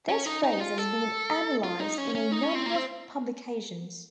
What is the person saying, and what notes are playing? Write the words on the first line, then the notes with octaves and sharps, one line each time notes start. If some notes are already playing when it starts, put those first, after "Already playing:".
This phrase has been analyzed in a number of publications.
C#4
D#4
D#4
F4
A4
F4
D#4
C#4
C#4
D#4
C#4
C4
A#3
C4